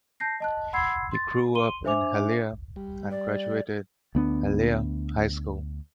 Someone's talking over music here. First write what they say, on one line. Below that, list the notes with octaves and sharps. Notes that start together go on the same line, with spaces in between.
He grew up in Hialeah and graduated Hialeah High School.
A5 G6 A#6 C7
D#5 A5 F#6
F#5 B5 C6 E6 G#6 C7
C6 A6
C6 D#7 G7
D4 C5 E5 G#5 D6 F7
G3
D5
D2 B3 D4